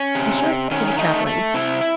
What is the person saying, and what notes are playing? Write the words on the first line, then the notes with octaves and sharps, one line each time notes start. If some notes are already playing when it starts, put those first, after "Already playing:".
In short, he was travelling.
Already playing: C#4
C3
C3
D#3 C#4
C#4
A3 D#4
A3
C3 E4